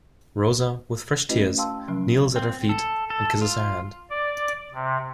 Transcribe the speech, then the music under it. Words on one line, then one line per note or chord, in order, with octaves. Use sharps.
Rosa, with fresh tears, kneels at her feet and kisses her hand.
A3 C#4 E4 F#4 B4 D#5
F5 G5 A5 C6 E6
C3 F3 F#3 C#4
C4
A4
A4
F4
D5
C3